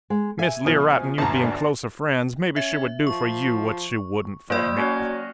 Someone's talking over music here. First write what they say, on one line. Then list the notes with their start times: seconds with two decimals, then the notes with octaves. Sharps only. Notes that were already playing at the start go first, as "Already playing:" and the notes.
Miss Learight and you being closer friends, maybe she would do for you what she wouldn't for me.
0.10 G#3
0.39 E5 G#5
0.65 B2 F3 F6
1.18 G1 D2 A5 A#5
1.44 D4
2.56 C#4 E5
3.07 F3 C#6
4.50 F3 A#3 E4 D5 D#5 G5
4.77 F#3 C#4 F#4 F5